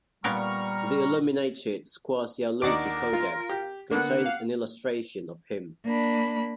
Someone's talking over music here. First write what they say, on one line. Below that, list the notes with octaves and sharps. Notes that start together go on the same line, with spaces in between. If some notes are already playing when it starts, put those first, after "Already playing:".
The illuminated "Squarcialupi Codex" contains an illustration of him.
A#2 G3 B3 A#4 A#5 C#6 F6
D#2 D4 D#4 A#4 F#5 D6
F4
G4
D3 A#3 B3 F#5
F5
A#3 D4 B5